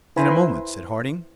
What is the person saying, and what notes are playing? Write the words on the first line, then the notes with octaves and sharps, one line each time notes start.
"In a moment," said Harding.
E4 B4 C5 G#5 A#5 B5